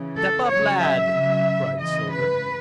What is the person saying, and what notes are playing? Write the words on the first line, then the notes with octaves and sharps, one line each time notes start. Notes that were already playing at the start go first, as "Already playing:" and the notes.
"Step up, lad," cried Silver.
Already playing: C#3 E3
A4
C#3 F#3 C#5
E5
C#3 F#3
C#3 E3 D#5
B4